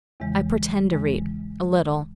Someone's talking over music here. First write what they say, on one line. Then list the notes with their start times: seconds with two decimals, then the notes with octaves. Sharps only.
I pretend to read--a little.
0.20 E2 C#3 E3 G#3
0.93 E2 C#3 E3 G#3